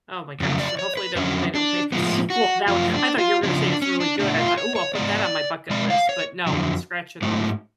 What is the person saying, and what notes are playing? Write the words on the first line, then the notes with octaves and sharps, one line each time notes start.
Oh my gosh, so hopefully don't they don't make a sequel to that one I thought you were gonna say it's really good. I thought, "Ooh, I'll put that on my bucket list." But no, scratch it off.
F2 C#3 F#3 A3
D5
C#5
B4
F2 D3 F#3 C#4
D4
A2 F3 G#3 B3
F#4
F#2 F3 A3 F4
D4
F4
C#3 F3 B3 D4
D4
C#4
D4
B2 A3 D4
F4
C#5
C#5
G#2 G#3 B3 D5
B2 G#3 D5
F5
C#5
F2 D3 F#3
G#2 F#3 A3